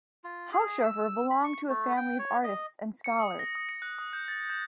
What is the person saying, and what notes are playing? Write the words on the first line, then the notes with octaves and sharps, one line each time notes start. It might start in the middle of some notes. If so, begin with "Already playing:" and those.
Haushofer belonged to a family of artists and scholars.
F4
G#4
E6
B5
C#6
A3
G5
C#5
D#5
C#7
D#6
A#6
D#6
C#7
F#6
D#6
G6
A6
G6